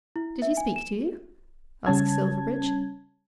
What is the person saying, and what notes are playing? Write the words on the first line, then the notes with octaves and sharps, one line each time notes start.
"Did he speak to you?" asked Silverbridge.
E4
E5
G#5
E7
C#3 G3 C#4 A5 G#6